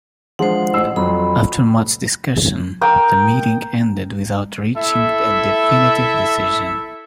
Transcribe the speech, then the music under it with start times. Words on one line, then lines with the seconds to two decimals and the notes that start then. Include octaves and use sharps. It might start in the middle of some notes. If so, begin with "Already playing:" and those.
After much discussion, the meeting ended without reaching a definitive decision.
0.39 F3 G#3 D4 C5 F#5
0.73 A1 E6 C7
0.96 F2 F#3 C4 B5
2.81 A#4 G5 D#6
4.76 E4 A4 E5